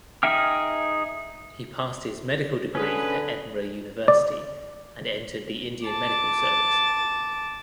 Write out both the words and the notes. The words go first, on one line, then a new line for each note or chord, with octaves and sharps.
He passed his medical degree at Edinburgh University and entered the Indian Medical Service.
D#4 G#4 E5 G5 F6
D3 C#4 G#4 B4
D5
A5 D6